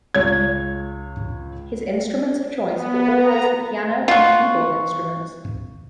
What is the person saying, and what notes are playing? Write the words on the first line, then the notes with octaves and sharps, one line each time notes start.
His instruments of choice were always the piano and keyboard instruments.
C#2 C#5 G#6
B3
A#5
F4 F#4